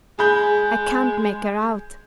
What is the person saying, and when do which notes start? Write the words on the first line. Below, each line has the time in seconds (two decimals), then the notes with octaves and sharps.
I can't make her out.
0.19 G#3 G#4 B5 G6